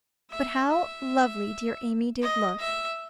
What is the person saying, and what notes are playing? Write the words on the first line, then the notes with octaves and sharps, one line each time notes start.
But how lovely dear Amy did look.'
E5
E5
D#5
E5